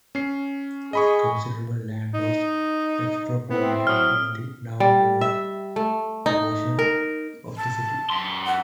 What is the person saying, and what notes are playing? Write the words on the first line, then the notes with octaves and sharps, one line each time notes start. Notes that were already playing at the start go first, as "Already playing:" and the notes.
Considerable land was expropriated in the downriver portion of the city.
C#4 C7
G#4 D#5 B5 C#6
D#4
B3 C4 E4
F#3 D#6 F6
G3
E5
A3
D#4
A#4
A5
F#2 C6
F#5